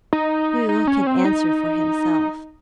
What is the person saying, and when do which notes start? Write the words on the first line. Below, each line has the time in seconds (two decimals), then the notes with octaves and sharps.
Who can answer for himself?
0.13 D#4
0.69 D#4
0.87 C#4
1.07 C4
1.25 D#4